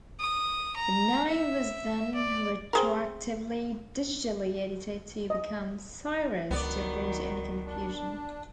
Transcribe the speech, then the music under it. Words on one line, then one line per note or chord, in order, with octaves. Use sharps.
The name was then retroactively digitally edited to become "Cyrez" to avoid any confusion.
D#6
A#5
E5
D5
C4 G#4 A#4
D#5
C#2 D#3 F#3 B3 D5
D4